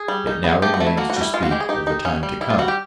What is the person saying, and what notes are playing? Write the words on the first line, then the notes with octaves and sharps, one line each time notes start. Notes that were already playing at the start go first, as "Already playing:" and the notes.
It now remains to speak of the time to come.
Already playing: G#4
G3
D#4
B3
A3 G4
F#4
A3
E4
A#3 F#4
F#4
G3 E4
G#3 F4
F#4
G#3 G4
G#4
D#4 G4
D#4
C#4
G3
G3 E4
F4
G3 F#4
G4